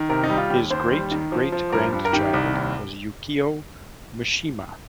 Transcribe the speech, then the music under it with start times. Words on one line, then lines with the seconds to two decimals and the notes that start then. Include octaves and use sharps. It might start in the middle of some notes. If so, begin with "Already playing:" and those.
His great-great-grandchild was Yukio Mishima.
Already playing: D#3
0.09 C3 A#4
0.23 D#4
0.30 G3
0.37 F4
0.50 D#2 G4
0.70 D#2 C5
0.92 G3
1.11 D#3
1.32 F3
1.52 F3
1.72 G2 A#4
1.93 G2
2.05 A#4
2.13 D#3 G4
2.33 C2
2.54 D#2